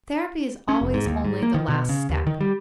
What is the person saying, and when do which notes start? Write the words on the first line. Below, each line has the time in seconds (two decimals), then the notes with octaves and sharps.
Therapy is always only the last step.
0.69 C#4
0.81 F1
0.94 G#2
1.06 D#2
1.25 G#2
1.43 A#3
1.54 D#3
1.68 B2
1.89 C#3
2.09 D#2
2.27 D#3
2.41 G3